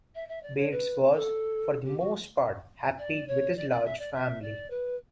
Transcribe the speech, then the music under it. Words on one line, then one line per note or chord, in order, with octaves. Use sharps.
Bates was, for the most part, happy with his large family.
E5
E5
D5
C#5
B4
A4
G4
F#4
D5
C#5
D5
D5
E5
D5
E5
D5
B4